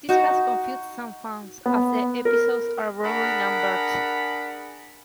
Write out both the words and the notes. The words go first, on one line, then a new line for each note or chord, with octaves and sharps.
This has confused some fans, as the episodes are wrongly numbered.
D#4 F#4
B3
A#4
D4 G#4 A#4 F#5 A#5 B5